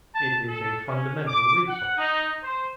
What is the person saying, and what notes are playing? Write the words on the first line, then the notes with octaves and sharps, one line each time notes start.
It is a fundamental resource.
A5
A4
C#4
D6
F#5
D#4
C5